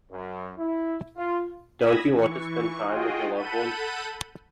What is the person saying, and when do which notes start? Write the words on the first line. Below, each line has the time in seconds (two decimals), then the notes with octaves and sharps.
Don't you want to spend time with your loved ones?
0.11 F#2
0.58 E4
1.17 F4
1.79 B5 D#6 E6 G#6 A#6
2.12 E3 C#6
2.86 F4 F#4 G#4 D#5 G5
3.36 A4 F#5 A5 B5 G6 D#7